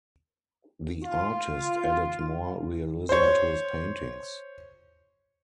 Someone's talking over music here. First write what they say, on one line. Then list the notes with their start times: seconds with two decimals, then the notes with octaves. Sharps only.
The artist added more realism to his paintings.
1.04 F4
3.09 C5 C#5